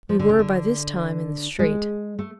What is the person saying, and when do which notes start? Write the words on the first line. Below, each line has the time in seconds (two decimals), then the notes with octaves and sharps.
We were by this time in the street.
0.09 F3
0.19 D3
0.29 C#3
0.39 D3
1.59 G#3
2.19 A3